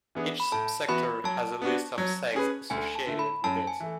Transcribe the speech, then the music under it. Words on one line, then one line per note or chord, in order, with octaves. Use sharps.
Each subsector has a list of segs associated with it.
E3 B3 D4 G#4
B5
A2 A5
E3 B3 F#4 B5
F#3 A5
B3 D4 F#4
F#3
C#4 G#4 B4
D2 G#5
A5
D3 A3
B5
F#2 A5
G#5
E3 A3